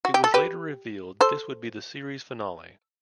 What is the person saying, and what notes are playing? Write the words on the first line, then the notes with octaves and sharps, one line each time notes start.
It was later revealed this would be the series finale.
F#4
G4
A4
G4 B4
A4 C5